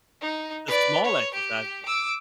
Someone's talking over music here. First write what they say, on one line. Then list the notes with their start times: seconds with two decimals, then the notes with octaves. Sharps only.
the small exercise
0.21 D#4
0.68 B4 D5
1.04 C#5
1.34 G4
1.85 D6 E6